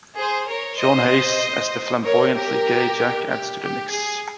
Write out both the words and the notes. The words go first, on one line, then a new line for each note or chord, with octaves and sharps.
Sean Hayes, as the flamboyantly gay Jack, adds to the mix.
G#4 C5
A#4 C#5
C5 D#5
A#4 C#5
G4 A#4
G4
G4
G#4